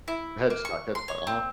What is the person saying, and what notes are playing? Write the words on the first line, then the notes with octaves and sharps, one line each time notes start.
Headstock Headstock, uh-huh.
E4
A#3
C#6
C6
C#5
C4